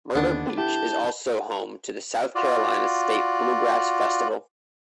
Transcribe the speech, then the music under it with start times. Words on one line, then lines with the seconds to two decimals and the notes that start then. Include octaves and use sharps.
Myrtle Beach is also home to the South Carolina State Bluegrass Festival.
0.15 D#2 D3 B3 D4
0.58 E4 G4 A5 G6
2.35 F4 F#4 D5